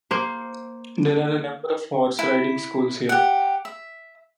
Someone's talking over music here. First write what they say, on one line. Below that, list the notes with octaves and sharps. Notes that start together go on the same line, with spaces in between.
There are a number of horse riding schools here.
A#3 C5
E4
G4 F#5
E5